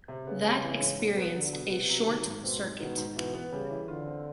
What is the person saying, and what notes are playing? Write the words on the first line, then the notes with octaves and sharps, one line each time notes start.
That experienced a short-circuit.
C3
C#3 B3
G3
E3
G#2
B2
B3
D3 F#3
B2
C3 B3
F#3
D#3
G#2
B2 C4
G#3
B2 D#3
G#2
B2 E3
B3
C#3 G3
E3
D3 F4
C4